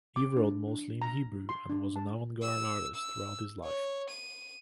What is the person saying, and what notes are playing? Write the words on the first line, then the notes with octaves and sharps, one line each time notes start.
He wrote mostly in Hebrew, and was an avant-garde artist throughout his life.
D6
D4
D4
A#5
C6
D4
A5
E6
E6
C#5
D#7